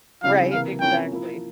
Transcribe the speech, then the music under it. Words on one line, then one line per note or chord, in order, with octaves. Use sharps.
Right. Exactly.
C#3 G3 C4 E4 G#4 F5
C3 E3 A#3 F5
C3 F3 A#3 C#4 E4 G5
F3 A#3 E4